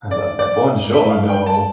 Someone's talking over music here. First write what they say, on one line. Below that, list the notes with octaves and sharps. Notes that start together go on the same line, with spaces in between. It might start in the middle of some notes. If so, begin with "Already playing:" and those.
I love that. Buongiorno.
D5
D5
E5
F5
G5
A5